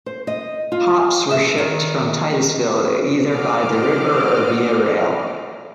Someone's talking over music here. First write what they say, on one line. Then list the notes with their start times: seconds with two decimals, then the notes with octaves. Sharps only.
Hops were shipped from Titusville either by the river or via rail.
0.06 C5
0.27 D#5
0.72 F4
1.31 E5
1.58 D#3
3.30 F#4 C5 D5 D#5 D6 F6